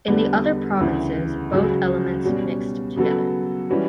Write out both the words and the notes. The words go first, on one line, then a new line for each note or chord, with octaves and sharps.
In the other provinces both elements mixed together.
E2 D3 G3 B3
D2 C#3 E3
C#2 C#3 F#3 C#4 F#4
B2 G3 C#4 F#4
C#3 F#3 B3 F#4 A4
E3 G3 C#4 F#4 B4